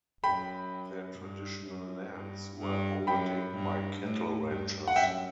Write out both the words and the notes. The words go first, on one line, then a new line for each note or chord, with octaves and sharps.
Their traditional lands were overtaken by cattle ranchers.
F#2 G5 B5
G2
F#2
G2
G2
F#2 G5 B5
G2
A2
G2
F#5
F#2 E5 G5